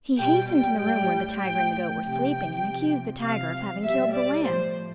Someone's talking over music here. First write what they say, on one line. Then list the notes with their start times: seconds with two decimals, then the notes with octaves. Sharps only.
He hastened to the room where the tiger and the goat were sleeping and accused the tiger of having killed the lamb.
0.18 B2 G3 G5
0.49 G5
0.79 A2 G3 G5
1.40 A2 F3 G5
2.01 C3 F3 G5
2.61 C3 F3
3.22 C3 F3 F5
3.82 B2 G3 E5
4.13 D5
4.43 A2 F3 C5